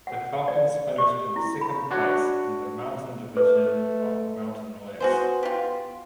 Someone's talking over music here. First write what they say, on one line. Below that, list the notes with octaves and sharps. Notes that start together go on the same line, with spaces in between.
The Falcons finished in second place in the Mountain Division of Mountain West.
F#5
D5
G4
E4
B5
D4 F#4 C#5
A3 B4
B3 F#4 G#4 C5
F4 G4